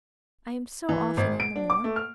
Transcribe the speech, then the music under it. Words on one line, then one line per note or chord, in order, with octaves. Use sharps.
I am so often on the moor.
E3
G#1
D7
D4
D6
A3
F6